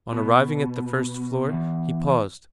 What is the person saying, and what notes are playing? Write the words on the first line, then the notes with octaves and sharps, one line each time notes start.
On arriving at the first floor, he paused.
B2
E2